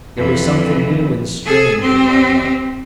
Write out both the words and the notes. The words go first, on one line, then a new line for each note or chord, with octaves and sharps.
There was something new and strange in my blood.
F2 E3
G#4 A4
C4 G4